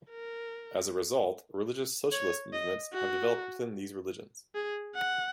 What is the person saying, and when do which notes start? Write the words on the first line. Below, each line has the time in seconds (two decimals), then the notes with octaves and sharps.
As a result, religious socialist movements have developed within these religions.
0.10 A#4
2.13 C#5
2.53 D#5
2.93 F#4
4.56 G#4
4.96 F#5